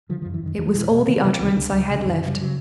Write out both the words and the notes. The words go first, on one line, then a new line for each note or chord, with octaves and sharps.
It was all the utterance I had left.
D3 F3
F3
F#2
E3
F#2 D#3
E2 E3
F3
B2 E3
B2
C3 D#3
E3
C3 D#3
E3
C#2 D#3
C#2 D3
C#2
C3
D3
F#2 D#3
C#3
G3
C#3 F#3